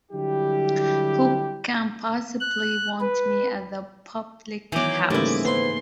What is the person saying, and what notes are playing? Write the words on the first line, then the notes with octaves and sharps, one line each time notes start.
Who can possibly want me at the public-house?
D3 F#3 G3 E4 G4
F#6
B4
D#3 E3 F#3 B3 D6 G6
G#2 C#3 G3 A3 A#3 C#4 E4 D6
A#3 B3 B4 C5 C6